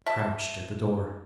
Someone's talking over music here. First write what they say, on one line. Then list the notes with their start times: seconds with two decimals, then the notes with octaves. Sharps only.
Crouched at the door.
0.06 E5 A5